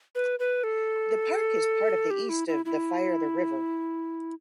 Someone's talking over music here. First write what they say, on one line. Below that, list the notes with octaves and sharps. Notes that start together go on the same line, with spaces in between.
The park is part of the east of the Fire, the River.
B4
B4
A4
G4
E4
E4
E4